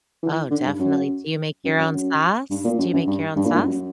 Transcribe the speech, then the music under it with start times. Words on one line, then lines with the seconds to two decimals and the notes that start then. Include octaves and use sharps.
Oh, definitely. Do you make your own sauce? Do you make your own sauce?
0.23 E3
0.51 D3
0.65 G2
0.79 F#2
1.65 F#2
1.79 F#2
1.93 F#2
2.50 G2
2.65 A#2
2.79 F#2
2.93 F#2
3.07 G2
3.36 G2
3.45 A#2
3.54 G2
3.64 F#2